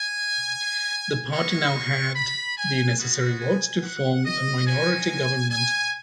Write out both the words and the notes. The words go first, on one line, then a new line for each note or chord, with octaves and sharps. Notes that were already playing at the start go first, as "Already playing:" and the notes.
The party now had the necessary votes to form a minority government.
Already playing: G#5
G#3 C#4 F#4 C#6
B5
G#5
G#3 B3 F#4
G#5
F#5
D#5
G#3 C#4 F#4 G#5
G#5